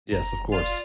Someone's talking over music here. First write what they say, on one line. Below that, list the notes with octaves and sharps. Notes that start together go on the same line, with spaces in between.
Yes, of course.
F#1 A#5
F4 D5 C6